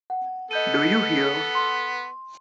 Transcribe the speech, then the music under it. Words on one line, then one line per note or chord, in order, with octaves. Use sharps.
Do you hear?
F#5
B3 A4 D#5 G6 D#7
C6